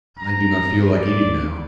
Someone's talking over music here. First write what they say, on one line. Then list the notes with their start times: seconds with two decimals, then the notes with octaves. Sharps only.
I do not feel like eating now.
0.19 A#5
0.93 D5